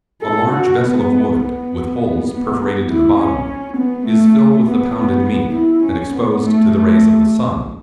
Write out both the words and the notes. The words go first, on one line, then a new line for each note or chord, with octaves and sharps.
A large vessel of wood, with holes perforated in the bottom, is filled with the pounded meat, and exposed to the rays of the sun.
A4
F#4
B3
B3
B3
E4
C#4
B3
A3
B3
B3
E4
C#4
B3
A3
A3